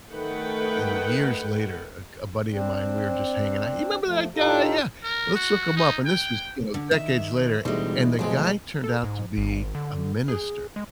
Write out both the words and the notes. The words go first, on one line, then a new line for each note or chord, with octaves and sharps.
you know, years later. A g a buddy of mine, we were just hanging out, "You remember that guy?" "Yeah, let's look him up." This was, you know, decades later, and the guy turned out to be a minister.
D#3 A3 B4 F#5 G5
C4 D4
F3 A3
A2 D#4 F4 G4 A4
A#4
F#4
D#4
G5
D3
D#3 E5
D2 B2 E3 G3 G#3 D#4
B1 D#3 F3 G#3 A3 C4 G#4
A4
G#2
G#1
D3
G#4
G#3